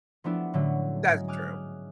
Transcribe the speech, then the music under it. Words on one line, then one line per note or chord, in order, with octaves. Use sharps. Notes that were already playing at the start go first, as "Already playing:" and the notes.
That's true.
F3 A3 B3 D4 E4 G4
A2 D3 F#3 A3 C#4
G#2 G#3
G#5 D6 D#6 F6 F#6